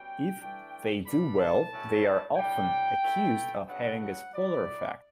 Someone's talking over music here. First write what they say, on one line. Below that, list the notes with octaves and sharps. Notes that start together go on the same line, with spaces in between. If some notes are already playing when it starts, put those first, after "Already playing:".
If they do well, they are often accused of having a spoiler effect.
Already playing: B2 G3 C#4 G5
E3 A3 D4
E3 G3 B3 D4 B5
A5
A2 F#3 C#4 E4
A2 G3 D4 G5
E3 A3 E4
C#3 F#3 B3 D4 F#5
F#5
F#3 B3 E4 D5